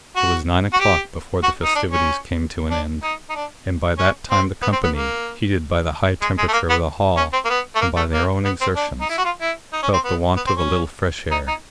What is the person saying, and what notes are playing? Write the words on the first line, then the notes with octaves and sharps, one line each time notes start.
It was nine o'clock before the festivities came to an end, and by that time the company, heated by the high temperature of the hall, and by their own exertions, felt the want of a little fresh air.
F#4
F#4
G4
F#4
D#4
D4
C#4
D4
D#4
D#4
D4
C#4
C4
B3
C4
B3
A#3
G#3
G#3
A3
A#3
B3
C#4
C4
A#3
B3
A3
A#3
A3
A#3
B3
C4
D4
D#4
E4
F#4
F4
E4
D#4
C#4
C4
B3
B3
C4
C#4
D#4
D#4